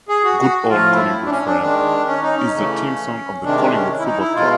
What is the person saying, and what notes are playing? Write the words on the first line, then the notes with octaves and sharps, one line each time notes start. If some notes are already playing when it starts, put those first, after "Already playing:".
"Good Old Collingwood Forever" is the team song of the Collingwood Football Club.
G#4
F#4
F#4
A2 F3 A3 F4
E4
D4
C#4
D4
D#3 G#3 D4
C#4
D#4
C#4
C#3 E3 A3
C3 D#3 G#3 D4
D4
C#4
E4
D#4
E4
B2 G#3 F4